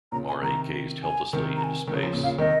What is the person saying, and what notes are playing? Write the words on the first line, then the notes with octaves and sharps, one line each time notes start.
Maury gazed helplessly into space.
A#2 C#3 A#5
G#5
C3 D#3 A#5
G#5
C3 D#3
A#5
G#5
D#3
C#3 F3
C#3 F3
A#2 C#3
A#2 C#3 F5
C3 D#3 D#5